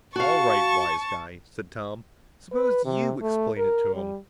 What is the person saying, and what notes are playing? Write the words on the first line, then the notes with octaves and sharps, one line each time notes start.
"All right, wise guy," said Tom, "suppose you explain it to him!"
F#4 F5 A5 C#6
B4
C3
A3
A#4
G3